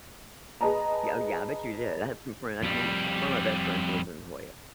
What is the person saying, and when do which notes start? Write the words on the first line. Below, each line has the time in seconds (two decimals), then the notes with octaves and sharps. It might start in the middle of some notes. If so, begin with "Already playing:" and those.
Oh, yeah. I bet you did. I have some friend m t one of my best friends lived in La Jolla,
0.61 G#4 B4 D#5 A5 A#5
2.63 F2 G3